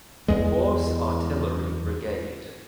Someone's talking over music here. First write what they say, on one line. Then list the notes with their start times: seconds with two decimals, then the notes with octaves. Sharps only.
Horse Artillery Brigade.
0.28 E2 G#3